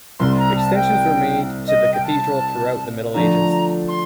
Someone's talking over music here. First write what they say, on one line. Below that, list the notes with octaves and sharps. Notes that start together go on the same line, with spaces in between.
Extensions were made to the cathedral throughout the Middle Ages.
C2 C3 G3 C6
A#5
A5
G5
D#5
G5
A5
D3 F3 A3 D4 F4 A#5
C6